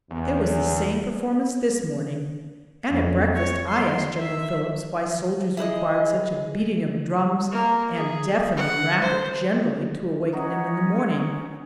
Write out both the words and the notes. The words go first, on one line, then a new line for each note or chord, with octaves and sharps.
There was the same performance this morning, and at breakfast I asked General Phillips why soldiers required such a beating of drums, and deafening racket generally, to awaken them in the morning.
E2
F2
C#5
C6
E5
E4 G#4 B4 D#5
A#3
G#4
F#5
C5
C#4 D#4 F#4